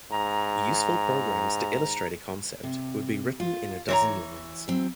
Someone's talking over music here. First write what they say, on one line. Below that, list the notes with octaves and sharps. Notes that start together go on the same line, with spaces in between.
Useful programs to illustrate a concept could be written in a dozen lines.
G#2 A#5
C3
F4
E3 C5 C#5 A#5
F#3 C4